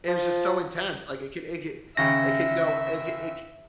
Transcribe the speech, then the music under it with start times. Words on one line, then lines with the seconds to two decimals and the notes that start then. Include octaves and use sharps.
It was just so intense, like, it could it could it could go it c it c
0.08 F3
1.97 D#2 C#3 C#4 E5 A#6